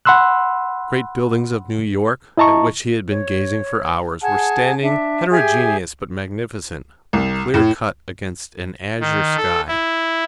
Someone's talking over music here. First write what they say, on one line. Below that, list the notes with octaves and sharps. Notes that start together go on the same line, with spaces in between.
The great buildings of New York, at which he had been gazing for hours, were standing, heterogeneous but magnificent, clear-cut against an azure sky.
F#5 B5 C6 E6 F#6
E4 D#5 A5 A#5 C#6
C#5
G#4 F#5 G#5 A5
D4 E5
G4 G#4 E5 G#5
C2
A2
D#3
A4
E4